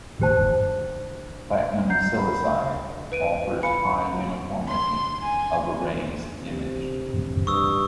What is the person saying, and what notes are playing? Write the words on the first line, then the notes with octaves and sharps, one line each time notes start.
Platinum silicide offers high uniformity of arrays imaged.
G4 C5 A5
F#5 A#5 G6 C7
B5
B4 D7 D#7
F5 G#5 B5 C#7
C6
G#5
C3
G2 C#6 D#6 E6